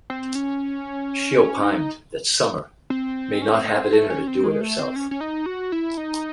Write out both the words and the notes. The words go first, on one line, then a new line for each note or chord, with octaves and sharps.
She opined that Summer may not "have it in her to do it" herself.
C4
C#4
C#4
D#4
C4
C#4
C4
A3
C4
A3
C#4
C4
G#3
A3
C4
C#4
C#4
D#4
F#4
E4
D#4